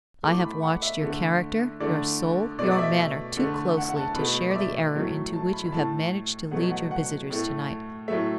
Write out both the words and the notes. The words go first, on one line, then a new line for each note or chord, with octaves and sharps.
I have watched your character, your soul, your manner, too closely to share the error into which you have managed to lead your visitors to-night.
A2 A3 D6
B5
F#5
E5
D3 A3
D3 A3 D5
B2 A3 D5
D5
E5
D3 A3
F#5
F#5
A5
B2 A3 B5
D5
E5
A2 F#3 A3
A5
B5
B5
A2 A3 A5
B2 F#3 A3 F#5
F#5
F#5
A2 A3
A2 F#3 A3 E5